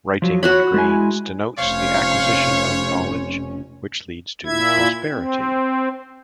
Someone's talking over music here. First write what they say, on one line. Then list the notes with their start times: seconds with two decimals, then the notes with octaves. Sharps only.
Writing on grains denotes the acquisition of knowledge, which leads to prosperity.
0.22 F3 F#3
0.43 F#4 C#5 F#5 B5
0.74 G#3 E4 G#5
1.58 F1 C#4 C5 C#5 F5
4.46 A#2 E4 E5 G#6
5.12 C4